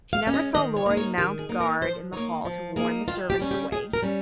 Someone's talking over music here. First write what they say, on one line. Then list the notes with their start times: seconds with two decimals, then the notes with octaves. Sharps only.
She never saw Laurie mount guard in the hall to warn the servants away.
0.13 F5
0.23 G#3 C#4
0.34 D#5
0.54 D#3 D#5
0.77 C#5
0.86 A#3 D#4
0.97 C#5
1.18 D#3 G4
1.39 G#4
1.49 A#3 D#4
1.60 A#4
1.81 F3 C5
2.13 A#3 D#4 C#5
2.45 F3
2.76 A#3 D#4 G#4
3.08 D#3 F4
3.30 G4
3.40 G3 C#4
3.51 G4
3.72 D#3 G#4
3.93 A#4
4.03 G3 C#4